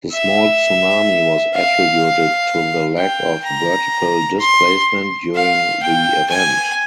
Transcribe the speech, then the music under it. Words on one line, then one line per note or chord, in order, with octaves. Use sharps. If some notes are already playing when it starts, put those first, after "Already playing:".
The small tsunami was attributed to the lack of vertical displacement during the event.
E5
F5
G5
A#5
C6
F5
G5
G#5